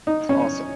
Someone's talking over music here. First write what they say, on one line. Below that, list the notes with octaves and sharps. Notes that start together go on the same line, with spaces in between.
It's awesome.
D#4
C#4